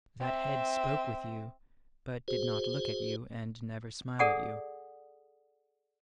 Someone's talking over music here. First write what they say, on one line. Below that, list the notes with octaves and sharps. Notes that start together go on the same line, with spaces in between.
That head spoke with you, but did not look at you and never smiled at you.
C4 E5
F#4 G#4 C5
G#4 A4 D5 F#5 G#5 D#6